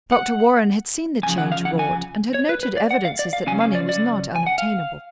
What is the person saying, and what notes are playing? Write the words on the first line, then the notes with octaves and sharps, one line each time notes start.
Dr. Warren had seen the change wrought, and had noted evidences that money was not unobtainable.
F#5
F#2 G#5
C#3 F3
F#5
F5
F#5
G#5
C#5
B4
B4
D5
F#5
F5
D5
F5
C#3 F#3 C#4 G#5
F5
D5
D5
G#5
F#5
F5